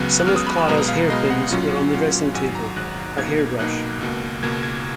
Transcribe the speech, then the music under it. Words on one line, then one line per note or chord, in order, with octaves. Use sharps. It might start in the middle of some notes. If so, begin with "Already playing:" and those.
Some of Clara’s hair-pins were on the dressing-table — her hair-brush.
Already playing: C#2 C#3 F#3 B3 F#6
F#6
C#2 C#3 F#3 B3 F6
D#6
B5
B5
B1 B2 G#3 B3 A#5
F5
B1 B2 G#3 B3 D#5
F#5
A#2 F#3 C#4 F4
A#2 F#3 C#4 F4
G#1 G#2 F#3 G#5
A#5
G#1 G#2 F#3 F#6
B1 B2 A#3 D#4 G#6
G#6
B1 B2 A#3 D#4 F#6
C#2 B2 A#3
C#2 B2 A#3 G#6
G#6